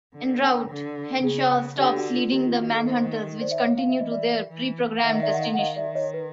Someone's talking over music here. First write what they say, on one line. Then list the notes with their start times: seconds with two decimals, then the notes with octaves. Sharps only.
En route, Henshaw stops leading the Manhunters which continue to their preprogrammed destinations.
0.14 D3
0.69 D3
1.23 C#3 G#4
1.78 D3 G4
1.92 G4
1.97 F#4
2.14 F4
2.32 D#3 G4
2.47 F4
2.59 F#4
2.73 A4
2.87 C5
3.41 C5 D5
3.51 E5
3.59 C#5 D#5
3.78 F5
3.89 E5
3.96 E3
4.01 D#5
4.11 D5 E5
4.50 E3
5.04 D#3 E5 F#5
5.14 D#5
5.22 D5 E5
5.33 F#5
5.40 D#5 F5
5.54 F#5
5.59 D#3 D#5 F5
5.76 D5 E5
5.95 C#5 D#5
6.14 B4